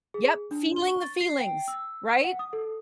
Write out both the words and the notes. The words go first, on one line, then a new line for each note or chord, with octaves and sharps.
Yep, feeling the feelings, right?
G#4
D4
G7
C#6
A6
C7
G5
E6
F#5
D#6
A4